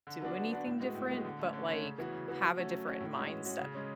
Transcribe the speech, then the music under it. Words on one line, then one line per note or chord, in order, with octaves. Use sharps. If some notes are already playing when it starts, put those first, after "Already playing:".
do anything different, but, like, have a different mindset.
D3
F#3 B3 D4 F#4
D3
F#3 B3 D4 F#4
A2
G#3 B3 F#4
A2
G#3 B3 F#4
D3
A3 C#4
D3
A3 C#4
C#3
E3 B3 F#4
C#3
E3 B3 F#4
F#3
A3 C#4 F#4
F#3
A3 C#4 F#4
A2
G#3 C#4 F#4
A2
G#3 C#4 F#4
C#3
G#3 C#4